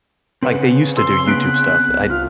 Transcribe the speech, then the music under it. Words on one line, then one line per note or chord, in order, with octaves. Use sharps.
like, they used to do YouTube stuff, I'm
C#3 C4 B4 F#5
C6 E6
B3 F#6 B6 D7
C2
F4 F6